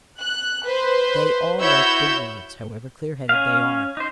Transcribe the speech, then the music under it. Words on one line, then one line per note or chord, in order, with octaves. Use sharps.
They all like big words, however clear-headed they are.
F#6
B4 C5
E4 F#4 C#5 E6 G6
C#4 F5
D#4 C5